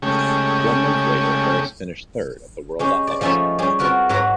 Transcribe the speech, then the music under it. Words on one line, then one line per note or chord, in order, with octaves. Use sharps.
One month later Harris finished third at the World Athletics Final.
C#3 G#3 A3 C#4 G4
G#3 C#4 G4
D5
F3 A3 C#4 D#4 F4 E5
G3 C#4 G4 G#4
C4 F4 F#4 A#4 B4
G#2 F#3 B4 A#5